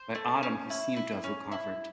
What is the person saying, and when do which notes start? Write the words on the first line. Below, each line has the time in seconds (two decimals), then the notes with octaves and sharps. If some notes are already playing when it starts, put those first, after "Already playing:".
By autumn he seemed to have recovered.
Already playing: C5
0.15 A3
0.43 C#4
0.70 E4
0.96 E4
1.24 C#4
1.52 E4